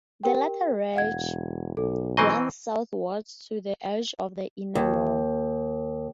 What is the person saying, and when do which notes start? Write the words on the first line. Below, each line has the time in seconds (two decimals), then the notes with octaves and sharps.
The latter ridge runs southward to the edge of the inner wall.
0.24 G4 A#4 G5
0.96 E1 F5 F#5 G#6
1.77 B1 A4
2.17 E3 C4 D#5 G#5 A#5 C#6
4.75 D#2